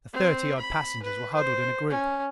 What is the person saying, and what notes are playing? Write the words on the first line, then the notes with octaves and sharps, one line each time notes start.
The thirty-odd passengers were huddled in a group.
C4
B5
B4
C5
C#4